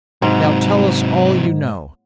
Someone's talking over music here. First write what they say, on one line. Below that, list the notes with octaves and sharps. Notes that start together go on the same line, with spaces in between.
Now tell us all you know.
G#2 C3 F#3